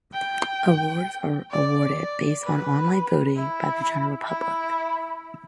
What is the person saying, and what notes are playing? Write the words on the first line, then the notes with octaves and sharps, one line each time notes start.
Awards are awarded based on online voting by the general public.
G5
D5
D5
B4
E4
E4